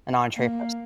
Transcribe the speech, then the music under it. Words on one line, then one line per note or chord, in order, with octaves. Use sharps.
an entrée first.
A#3